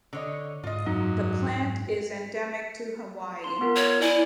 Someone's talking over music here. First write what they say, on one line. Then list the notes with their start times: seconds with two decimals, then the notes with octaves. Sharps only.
The plant is endemic to Hawaii.
0.13 D3 C#5 D#5
0.64 G#2 F4 D#5
0.86 F#2 D#4
3.44 C6
3.61 B3 F4 A#4
3.76 C#5
4.01 E4 D5 G#5